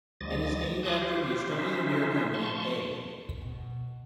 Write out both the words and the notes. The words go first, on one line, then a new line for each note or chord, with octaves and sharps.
It is named after the Estonian beer company A.
D2 F3 G3 D#5 A6
G#5 A5 C6 D6 D#6 F#6
F4 G4 C5
C#4 D#4 F4 C5 E5
F3 A5 C6 C#6
B2